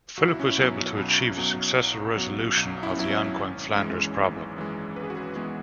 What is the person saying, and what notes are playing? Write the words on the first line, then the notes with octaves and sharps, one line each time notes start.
Philip was able to achieve a successful resolution of the ongoing Flanders problem.
B1 F#4
E4
C#4
E4
B2 F#3
B1
B2 F#3
B1
B2 F#3
B1
E4
C#4
B2 F#3 E4
C#4
G#1
F#2 E3 G#3
G#1
F#2 E3 G#3
G#1 B4
G#4
F#4
G#4
E3 G#3 B3